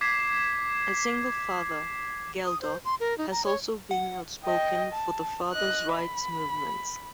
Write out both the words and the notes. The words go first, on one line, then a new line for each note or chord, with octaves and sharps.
A single father, Geldof has also been outspoken for the fathers' rights movement.
D6 G#6 B6 C7 E7
D#6
C5
C6
A#4
D#4
A#5
C#5
F#5
D#5 G5
A5
D#5 F#6
B5